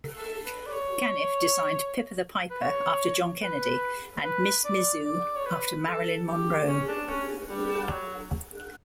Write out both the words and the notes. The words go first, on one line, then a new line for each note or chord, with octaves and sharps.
Caniff designed Pipper the Piper after John Kennedy and Miss Mizzou after Marilyn Monroe.
A4
B4
D5
C#5
B4
C#5
B4
B4
D5
D5
C#5
B4
A4
G4
C#4
D4
C#4
G3
G3
F#3